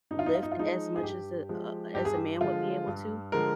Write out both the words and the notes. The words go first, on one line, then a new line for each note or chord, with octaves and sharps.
lift as much as a a as a man would be able to,
G2 D#4
F4
D#4
F4
D#4
F4
F3 G#3 D#4
G#4
G2 G4
F3 G#3
G2 G4
G#4
G4
D3 F3 G#3 F4
G2
D3 F3 G#3 A#4